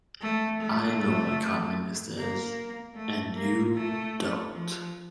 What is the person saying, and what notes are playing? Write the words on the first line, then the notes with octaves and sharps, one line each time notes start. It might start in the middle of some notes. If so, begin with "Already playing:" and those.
I know what a Communist is and you don't.
A3
A3
A#3
A3
A#3
A3
F3